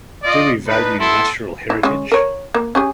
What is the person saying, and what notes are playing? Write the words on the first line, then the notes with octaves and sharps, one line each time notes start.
Do we value natural heritage?
F4 D5 D#5
D4 D#4 B4
B3 E4 A4 C6
E4
G#3 C#4
A#4 C#5
A#3
C#4 G4 G#4